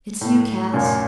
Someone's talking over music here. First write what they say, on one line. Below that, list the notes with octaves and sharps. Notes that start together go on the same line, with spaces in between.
Hit's you, Cass.
A2
F#2 A#2